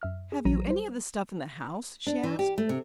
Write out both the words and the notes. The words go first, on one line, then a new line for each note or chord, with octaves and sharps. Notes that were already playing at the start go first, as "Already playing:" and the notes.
"Have you any of the stuff in the house?" she asked.
F#2 E5 F6
G#4
A#1 E3 F#3 A#5 A#6 D#7
G3 C5
D4
E3
G4
A3
C3